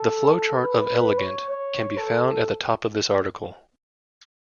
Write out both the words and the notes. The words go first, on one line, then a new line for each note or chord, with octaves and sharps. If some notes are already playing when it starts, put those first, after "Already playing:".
The flowchart of "Elegant" can be found at the top of this article.
Already playing: A4
B4
B4
C#5
C#5
A4